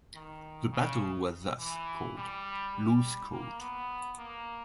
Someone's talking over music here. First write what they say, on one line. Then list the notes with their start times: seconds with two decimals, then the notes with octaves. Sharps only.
The battle was thus called "Lose-coat".
0.14 D#3
0.72 C#3
1.59 E3
2.16 G3
2.73 G3
3.31 A#3
3.60 B3
4.18 A#3